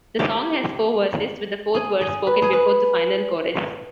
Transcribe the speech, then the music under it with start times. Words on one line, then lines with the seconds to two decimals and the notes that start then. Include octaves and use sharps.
The song has four verses, with the fourth verse spoken before the final chorus.
0.19 G4
1.74 G#4
2.01 G#4
2.27 B4
2.42 G#4
2.53 B4